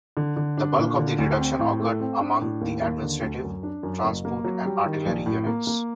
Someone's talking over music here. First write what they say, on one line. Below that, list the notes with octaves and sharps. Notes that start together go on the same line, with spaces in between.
The bulk of the reduction occurred among the administrative, transport and artillery units.
D3
D3
D4
A#2
D3
D2
C4
A2
A3
C4
D4
A2
D#2
D#2
D3
D2
F#2
D4
F#2
F#1
A#3
F#3
G3
D#3
A#1
A2
A#3
A#3